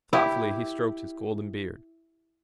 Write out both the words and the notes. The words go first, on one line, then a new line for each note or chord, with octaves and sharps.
Thoughtfully he stroked his golden beard.
E4 G4